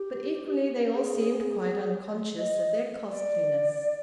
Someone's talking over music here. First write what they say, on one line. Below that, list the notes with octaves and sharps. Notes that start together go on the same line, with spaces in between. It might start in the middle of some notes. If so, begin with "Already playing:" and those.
But equally, they all seemed quite unconscious of their costliness.
Already playing: G4
G#4
D#5
D5